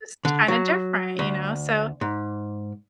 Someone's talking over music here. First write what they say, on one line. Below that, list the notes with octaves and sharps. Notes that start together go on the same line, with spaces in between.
it's kind of different, you know, so
D3
F#3
D2
G#2